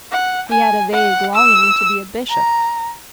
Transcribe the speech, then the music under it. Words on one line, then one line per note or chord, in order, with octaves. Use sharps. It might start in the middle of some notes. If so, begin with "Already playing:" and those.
He had a vague longing to be a bishop.
F#5
G#5
F#5
E6
A#5